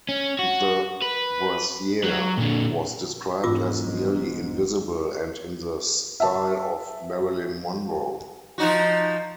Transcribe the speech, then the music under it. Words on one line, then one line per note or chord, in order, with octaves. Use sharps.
The brassiere was described as "nearly invisible" and in the style of Marilyn Monroe.
C#4
F#4
B4
F#3
A#2 D3
E1 G#2 F4 D6 E6
E5 A5
F3 D#4 F#4